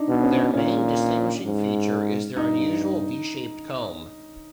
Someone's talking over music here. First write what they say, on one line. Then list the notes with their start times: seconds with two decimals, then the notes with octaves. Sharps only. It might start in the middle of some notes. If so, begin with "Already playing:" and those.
Their main distinguishing feature is their unusual V-shaped comb.
Already playing: D4 D#4
0.08 B2
0.24 C#4
0.54 A#2 C#4
1.46 G#2
2.37 G2 D#4